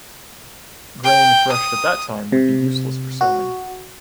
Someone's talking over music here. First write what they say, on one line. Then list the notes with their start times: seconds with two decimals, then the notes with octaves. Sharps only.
Grain threshed at that time would be useless for sowing.
1.04 G5
1.52 D#6
2.32 C3
3.21 F#4